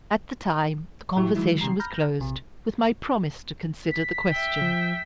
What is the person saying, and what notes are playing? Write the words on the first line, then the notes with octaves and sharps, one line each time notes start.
At the time the conversation was closed, with my promise to consider the question.
A2 F#3 E4 G4 C#6
D#3 E3 F#3 G#3 E4
C3 D#3 G3 A#5 C7
A#5 B5 F6 G6 A#6
A#1 C3
B6
E5 G5
F3